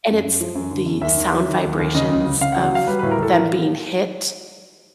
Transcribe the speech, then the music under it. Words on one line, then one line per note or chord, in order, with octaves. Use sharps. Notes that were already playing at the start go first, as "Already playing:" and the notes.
and it's the sound vibrations of them being hit
F#2
F#2
F3
F#2
D3
F#2
D#2 E5
D#3
F#3
D#3
D#2
D#2
C#3 D#5
C#2
C#2
C#3 F5
F#5
F#3
F#5
F#3 F5
G3 B4
A2 B4
A#4
A2 A4
E3 A#4